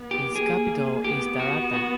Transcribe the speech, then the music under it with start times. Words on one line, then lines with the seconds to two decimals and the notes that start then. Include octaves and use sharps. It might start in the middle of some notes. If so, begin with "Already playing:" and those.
Its capital is Tarata.
Already playing: B3
0.11 G4
0.35 A#3 G#4
1.04 B3 G4
1.39 F#4
1.74 F#4